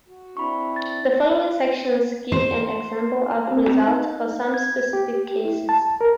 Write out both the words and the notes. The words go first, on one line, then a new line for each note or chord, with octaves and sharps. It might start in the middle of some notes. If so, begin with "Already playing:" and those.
The following sections give an example of results for some specific cases.
F#4
C4 D4 E4 B5 C#6
A6
C5
C4
D#4
G#6
G4
E4
A5
A#4